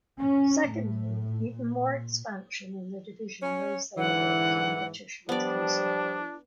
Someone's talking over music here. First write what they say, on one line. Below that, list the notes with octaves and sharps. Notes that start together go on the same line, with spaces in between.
Secondly, even more expansion in the division raised the level of competition considerably.
C#4
A2
A#2
C#4 C#5
G#2 D3 E3 F#5
F3 G3 B3 D4 D5